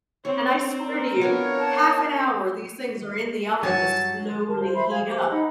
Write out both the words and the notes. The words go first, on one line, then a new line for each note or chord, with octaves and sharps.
and I swear to you, half an hour these things are in the oven just slowly heat up,
C4 C#5
A#4
B3 D4 C#5 F5
A5
G2 F#3 C#5 F#5 G#5 A5 C#6
A#4 A5
F4 C5
C5 E5 B5 C6
G#4 F5 G#5 G#6
G4 C5
D#4 D#5 F#5 B5